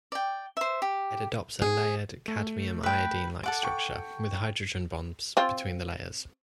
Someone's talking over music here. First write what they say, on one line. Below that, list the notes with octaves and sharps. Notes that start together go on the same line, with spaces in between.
It adopts a layered CdI-like structure with hydrogen-bonds between the layers.
D5 G5
C5 E5
G4
G#4
A3
B4 G5
A4 F#5 D6
G5 C#6
C4 F4